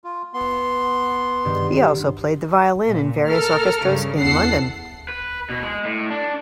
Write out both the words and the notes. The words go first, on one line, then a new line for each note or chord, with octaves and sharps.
He also played the violin in various orchestras in London.
F4
B3 C6
G2 D#3
A#2
A4 A#4 F6
G2 C#3
E2 A4 F#5 C7
B4
B2
G#3
A2
D4